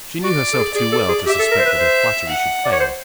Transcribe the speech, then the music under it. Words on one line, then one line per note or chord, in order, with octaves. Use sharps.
She knew herself too well to suspect that her flattery should fail.
F#4 D5
A4
G#4
G#4 D5
A4
G#4
G4 E5
A4
A#4
C5
B4
C5
F#5
D5
C#5
C5